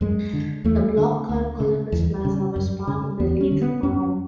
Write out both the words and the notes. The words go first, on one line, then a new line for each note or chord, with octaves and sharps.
The block called Columbus Plaza was part of the Leeds farm.
F#2 G#3
D3
E2 A3
D3
D2
C#3
E2
C#3
F#2
C#3
E2 B3
C#4
D3
B3
F#2 C#4